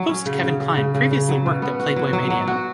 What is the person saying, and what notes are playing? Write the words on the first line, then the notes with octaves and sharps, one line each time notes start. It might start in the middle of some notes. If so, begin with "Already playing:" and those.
Host Kevin Klein previously worked at Playboy Radio.
Already playing: F#3
C#4
C#3
C#3
C#3
C#3
C#3
C#3
F#3
B2
B3
F#4
F#3
F#3
F#3
F#4